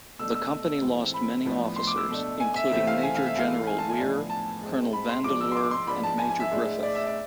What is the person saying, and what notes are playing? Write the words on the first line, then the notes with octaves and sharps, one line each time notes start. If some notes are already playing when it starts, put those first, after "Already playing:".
The Company lost many officers, including Major General Weir, Colonel Vandeleur, and Major Griffith.
B2 A3 D4 E6
E6
G#2 E3 A3 C4
B5
A2 F3 B3 D4
C6
D6
E6
B2 A3 D4
G#5
E5
C3 E3 A3 C4 E5
F5
G#5
F5
E5
G#2 E3 A3 F5
G#5
A5
G#5
A2 F3 B3 D4
A5
A2 G#3 C4
B5
C6
G#2 F3 G#3 D4 D6
E6
C6
D6
C6
G#2 F3 B3 D4 B5
A5
G#5
G#5
E5
A2 G#3 D4
D5
E5
D5